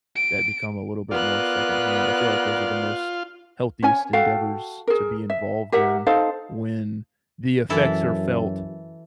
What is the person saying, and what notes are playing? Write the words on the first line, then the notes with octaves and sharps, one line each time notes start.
that become a little bit more secondhand, I feel like those are the most healthiest endeavors to be involved in, when the effects are felt
D7
B3 F4 A#4 D5 F#6
C#4 C#5 G#5
F#4 A4 F5 G5
G#4 A#4
E5
G4 A#4 E5 F#5
D#4 A4 C5 F5
F#2 E3 E4 A4